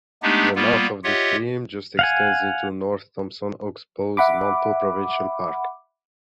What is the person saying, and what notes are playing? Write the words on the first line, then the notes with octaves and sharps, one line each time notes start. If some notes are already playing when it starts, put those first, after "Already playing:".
The mouth of the stream just extends into North Thompson Oxbows Manteau Provincial Park.
G#3 A3 B3 D4 D#4 G4
G3 A#3 B3 F4
F4 G4 C#5 D#5 E5 F#5
F5 F#5 G#5
E5 F#5 B5 D6